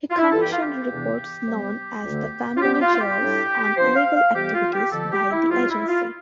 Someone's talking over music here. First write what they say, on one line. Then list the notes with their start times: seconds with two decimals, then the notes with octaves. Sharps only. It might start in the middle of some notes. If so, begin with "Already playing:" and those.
He commissioned reports-known as the "Family Jewels"-on illegal activities by the Agency.
0.11 F4
0.18 E4
0.32 G2 E3 B3 A4
0.42 G4
0.52 F4
0.63 G4
0.90 E2 C3 E3 B3 D4
1.47 C3 G3 B3
2.04 D2 D3 A3
2.57 F4
2.62 C3 G3 B3 D4 G4
2.75 G4
2.82 F4
2.96 F4
3.01 G4
3.20 A2 G3 D4
3.77 C3 F3 B3 D4 C5
3.96 F5
4.16 F5
4.34 F2 C3 E3 G3 B3 G4
4.54 F4
4.73 G4
4.92 F2 D3 F3 A4
5.12 G4
5.31 E4
5.50 E2 C3 G3 C4 F4
5.70 E4
5.88 F4